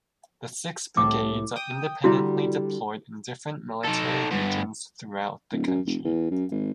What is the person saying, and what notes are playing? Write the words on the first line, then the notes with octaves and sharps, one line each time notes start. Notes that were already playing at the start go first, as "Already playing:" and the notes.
The six brigades are independently deployed in different military regions throughout the country.
C2 A2 A4 D6
G5 D#6
D3 G3 E4 F#4
D#4 A4
G2 B3
D1
F#2
F1
E2
F#2
G#1